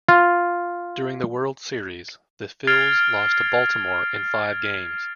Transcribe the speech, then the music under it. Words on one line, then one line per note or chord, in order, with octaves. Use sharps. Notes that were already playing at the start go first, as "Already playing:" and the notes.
During the World Series, the Phils lost to Baltimore in five games.
F4
F6 G#6 A6 C7 D7 F7